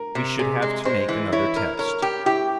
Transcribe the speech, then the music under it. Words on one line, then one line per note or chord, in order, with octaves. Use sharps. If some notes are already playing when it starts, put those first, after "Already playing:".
We should have to make another test.
Already playing: A#4
C3
C3 G#4
G#3
G#3 C5
E3
E4 C#5
A#4
A#4 C#5
G4
E4 G4